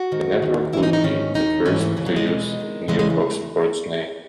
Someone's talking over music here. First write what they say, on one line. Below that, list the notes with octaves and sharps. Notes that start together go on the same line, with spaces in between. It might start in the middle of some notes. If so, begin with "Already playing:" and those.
The network would be the first to use the new Fox Sports name.
Already playing: F#4
G#2 D#3
D#2 D#3
G#2 E3 E4
D#4
D#4
G#2 D#3 C#4
D#2 D#3 D#4
G#2 E3 C#4
A3
D#2 C#3 E3
F#3
G#3
E2 B2
E2 D#3
E2 C#3 E3 G#3
G#3
A3